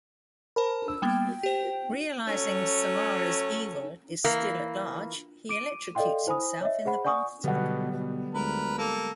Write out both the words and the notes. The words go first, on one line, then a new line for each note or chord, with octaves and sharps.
Realizing Samara's evil is still at large, he electrocutes himself in the bathtub.
A#4 C5 A5 B5
E6
G3 A#3 B3 G5
G4 C5
F#3 A3 C#4
E3 A#3
D6 D7 D#7
A4 D5 D#5 F5 G5 C6
E4 C5 G#5 B5 D#6
C#5 D#5 E5
G#4 C5 F#5 B5
D5 F#5 G#5 C#6 D#6
B2 D3 F#3 G3 B3 F#5
B2
D2 G#3 A#4 B4
A#3 A4